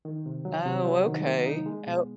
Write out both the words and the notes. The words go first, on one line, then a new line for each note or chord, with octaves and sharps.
Oh, okay. Oh,
D#3
C3
F#3
C3
F#3
D#3
A#3
D#4
G#3
B2